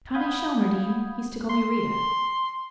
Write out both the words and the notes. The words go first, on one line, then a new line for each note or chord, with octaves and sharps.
Connie Shelmardine used to call me Rita.
F5 F#5 B5 D#6 G6 G#6
C6